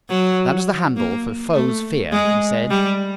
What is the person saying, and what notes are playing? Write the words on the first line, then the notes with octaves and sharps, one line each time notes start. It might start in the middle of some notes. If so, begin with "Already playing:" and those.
"That is the handle for 'Foes'-fear,'" he said.
F#3
A#3
A3
G#3
G3